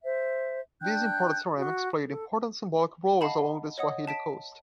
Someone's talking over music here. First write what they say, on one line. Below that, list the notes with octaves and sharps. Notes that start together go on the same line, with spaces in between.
These imported ceramics played important symbolic roles along the Swahili Coast.
C5 E5
D4 G5 F#6 G6
F#4
A4
D#5 F5 F#5 A5 B5
C#5 D#5 F#5 D#6
A5 B6 D7